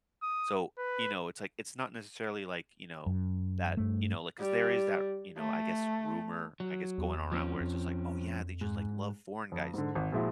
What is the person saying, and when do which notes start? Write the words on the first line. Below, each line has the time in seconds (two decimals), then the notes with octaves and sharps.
so, you know, it's like it's not necessarily, like, you know, that, you know, like 'cause there is that, you know, I guess, rumor, I guess, going around where it's just like, "Oh, yeah. They just, like, love foreign guys."
0.23 D#6
0.78 B4
3.06 F#2
3.77 G2 A3
4.40 G3
5.37 A3
6.60 F#3
6.98 E2
7.32 F3 C4 C#4
7.61 F2
8.61 G#2
9.52 F2
9.74 G#2 D3
9.95 G#1
10.12 A#2 F3 G#3 E4 F#4